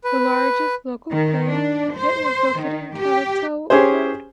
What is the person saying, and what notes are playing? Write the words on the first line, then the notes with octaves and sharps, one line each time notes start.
The largest local clay pit was located on Cattell Road.
B4
D#3
D4
C5
D#3
G4
C#4 G4 G#4 C5